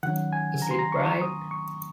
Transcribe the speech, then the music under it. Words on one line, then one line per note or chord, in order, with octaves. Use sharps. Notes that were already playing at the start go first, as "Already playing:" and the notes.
Is it bright?
D#3 F#3 C#4 F#5
G#5
A#5
C6
A#5
C#6
D#6
C#6